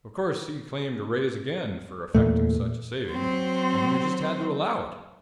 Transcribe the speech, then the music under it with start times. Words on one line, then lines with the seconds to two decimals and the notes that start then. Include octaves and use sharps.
Of course he claimed a raise again for effecting such a saving, and we just had to allow it.
2.15 E2 A#2 A3
3.09 F#3 C4